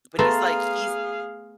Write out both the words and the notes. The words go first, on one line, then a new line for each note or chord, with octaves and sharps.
But he's like, he's
A3 B3 G#4 E5 F5 A#5 C6 A6